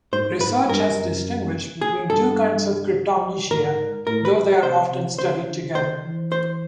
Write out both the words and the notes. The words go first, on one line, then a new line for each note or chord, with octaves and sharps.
Research has distinguished between two kinds of cryptomnesia, though they are often studied together.
G#2 C5
G#2 B4
G2 A#4
F#2
G#4
G2 A4
G#2 A#4
A2 A#4
B4
C3 C5
C3
C#3 C5
D3
D#3 C5
E3
C5